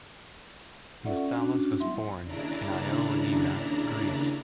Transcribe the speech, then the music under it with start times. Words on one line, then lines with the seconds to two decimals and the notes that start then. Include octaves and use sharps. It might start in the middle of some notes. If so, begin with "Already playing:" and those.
Massalas was born in Ioannina, Greece.
1.05 C#4 F4 A4 D5 E5 F#5
1.17 C#4
1.33 C#4 D4 F#4
1.80 F#3 G3 B3 E4 E5 C6
2.24 D#2 C#3 D4 E4 D5 A#5